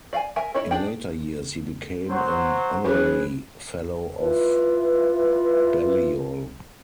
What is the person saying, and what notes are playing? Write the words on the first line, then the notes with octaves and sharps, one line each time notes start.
In later years he became an Honorary Fellow of Balliol.
D5 F5 F#5 G#5
A#4 E5 G#5
E4 A#4 C#5 D#5 E5
D4 G#4 D5 G5
F#3 C5
F#3 C#4 F#4 G#4 B4
E4 F4 B4